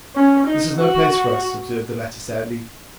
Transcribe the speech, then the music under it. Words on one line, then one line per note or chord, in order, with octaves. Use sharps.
'This is no place for us,' observed the latter sadly.
C#4
D#4
F#4